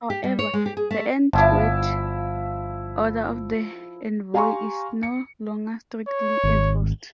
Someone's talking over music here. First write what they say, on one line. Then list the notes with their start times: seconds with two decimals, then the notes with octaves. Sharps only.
However, the end-word order of the envoi is no longer strictly enforced.
0.10 G4
0.24 G3
0.39 C#5
0.53 G#3
0.66 G4
0.77 G#4
0.91 A3
1.33 G1 F3 E4 D6
4.34 G4 F5 G#5 A#5 C6 C#6
5.03 C#7
6.08 C#5
6.44 G#1